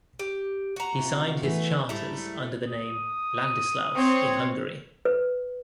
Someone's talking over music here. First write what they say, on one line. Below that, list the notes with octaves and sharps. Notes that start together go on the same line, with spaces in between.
He signed his charters under the name Ladislaus in Hungary.
G4
F#4 A#5
C3 F4
E3 A3 B3
G#2 G3 A3 E4 A#5
D#6
C4 C#5
B4